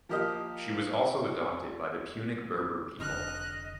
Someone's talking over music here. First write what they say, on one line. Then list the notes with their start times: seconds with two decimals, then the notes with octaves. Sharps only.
She was also adopted by the Punic Berber people.
0.09 F3 A#3 G4 A#4 D#5
2.99 F1 D3 D#5 F6 F#6